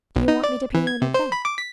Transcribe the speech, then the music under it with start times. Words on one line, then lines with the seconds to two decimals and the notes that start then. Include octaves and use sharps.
Do you want me to pay you in advance?
0.16 B1
0.28 D#4
0.44 D5
0.75 E3
0.87 G#6
1.02 C3
1.14 C5
1.32 B5
1.45 D6
1.58 B6